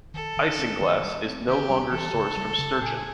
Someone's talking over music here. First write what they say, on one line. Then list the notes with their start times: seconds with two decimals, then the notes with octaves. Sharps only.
Isinglass is no longer sourced from sturgeon.
0.14 D#3 A4
0.37 D#3
0.59 C#4
0.81 D#3
1.03 G3
1.26 C4
1.48 D#3 G4
1.70 G3
1.92 E3 A4
2.14 C#3
2.37 G3
2.59 C#3
2.81 A#2 G#4